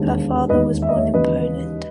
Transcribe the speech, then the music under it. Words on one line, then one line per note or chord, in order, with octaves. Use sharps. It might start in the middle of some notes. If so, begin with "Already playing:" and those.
Her father was born in Poland.
Already playing: E1 D#2 D#3
E1 D#2 D#3 B4 D#5
E5
D#5
C#5 E5
E1 D#2 C#3 E3 B4 D#5